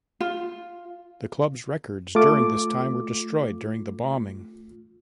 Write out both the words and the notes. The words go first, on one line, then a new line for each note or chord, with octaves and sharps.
The club's records during this time were destroyed during the bombing.
F4
A3 F4 D6